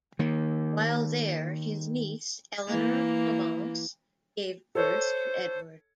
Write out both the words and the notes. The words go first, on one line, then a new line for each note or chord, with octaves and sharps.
While there, his niece, Eleanor of Provence, gave birth to Edward.
D#3 A#3
E3 A#3
A4 C5 C#5